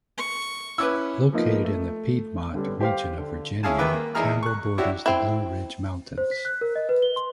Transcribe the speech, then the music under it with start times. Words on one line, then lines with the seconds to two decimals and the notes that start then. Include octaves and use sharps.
Located in the Piedmont region of Virginia, Campbell borders the Blue Ridge Mountains.
0.18 C#6
0.78 C#4 E4 B4 D6 E6
1.33 F3 A#3 B3 D#4 F4
1.64 A3
2.55 D3 G3 B3 C#4
2.81 G4 C5 F5
3.18 D3
3.63 C#4 E4 G#4 F5 G#5 A5
3.78 D#2 D#3 B4 E5 D6
3.93 A#3
4.15 E2 D#4 E4 G#4 A#5 F6
4.43 C#6 F#6
4.78 D4 E4 F#4 G4 C#5
5.06 C4 E4
6.18 C5
6.31 B6
6.45 F#6
6.61 A#4
6.75 D#5
6.89 B4
7.02 G7
7.16 C6